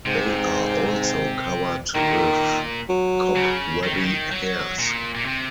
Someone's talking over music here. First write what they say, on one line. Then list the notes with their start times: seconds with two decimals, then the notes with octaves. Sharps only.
They are also covered with cobwebby hairs.
0.06 G#2 C3
1.95 A#2 D#3
2.89 F#3
3.36 C#3
3.83 D#3
3.93 C#3
4.03 D#3
4.31 F#3
4.79 A#2
5.15 A#2
5.25 C3